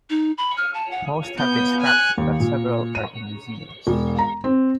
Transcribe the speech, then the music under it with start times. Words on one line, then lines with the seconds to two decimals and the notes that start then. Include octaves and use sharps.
Most have been scrapped, but several are in museums.
0.10 D#4
0.38 B5
0.57 F6
0.74 A5
0.91 F#5
1.38 B3 G6
1.81 G#5 F#6
2.18 D#2
2.40 A#2
2.95 D#7
3.87 E1
4.19 A#5
4.44 C4